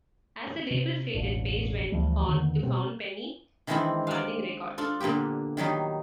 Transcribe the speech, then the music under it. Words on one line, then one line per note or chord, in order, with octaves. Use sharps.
As the label faded, Page went on to found Penny Farthing Records.
C3
E1 A1 D4
D2 E3 F3 G3
E2 D3 D#3
B2 G3 C4
D#3 E3 G#3 C4 D4 E4
D5 F5
D4 F4 A4
A#2 D3 A#3 B3 G4
D#3 F#3 G3 D#4